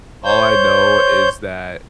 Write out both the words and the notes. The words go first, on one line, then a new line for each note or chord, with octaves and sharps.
all I know is that
C5 C#5 G6